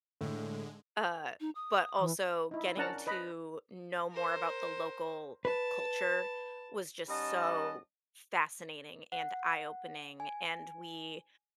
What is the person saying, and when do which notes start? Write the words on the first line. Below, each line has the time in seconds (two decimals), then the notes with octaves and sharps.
Uh, but also getting to know more about the local culture was just so fascinating and eye-opening. And we,
0.21 A2 D3 G#3
1.41 D#4
1.55 D#6
2.00 E3
2.51 D#4 E4
2.77 C#4 D4 A#4 F#5 A5 A#5
3.07 B4 D#5 B5
4.11 A#4 C5
5.45 B4 A5
7.09 G3 C#4 D#4 D#5 F#5 A5
9.12 F#5
10.20 G#5